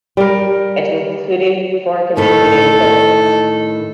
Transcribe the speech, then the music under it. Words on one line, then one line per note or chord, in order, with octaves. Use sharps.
It included four contributing buildings.
G3 A#4
A2 D#3 A4